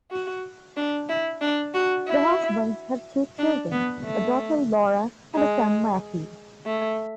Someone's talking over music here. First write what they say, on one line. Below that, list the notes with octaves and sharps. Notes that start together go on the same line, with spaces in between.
The Husbands have two children, a daughter Laura and a son Matthew.
F#4
D4
E4
D4
F#4
E4
D4
B3
A3
G#3
A3